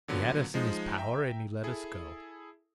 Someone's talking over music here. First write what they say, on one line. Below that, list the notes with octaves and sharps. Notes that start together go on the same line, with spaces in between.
He had us in his power and he let us go.
A#2 D3 F#3 B3
F3 G#3 D#4
E5 G5 A#5
E4 G#4 A4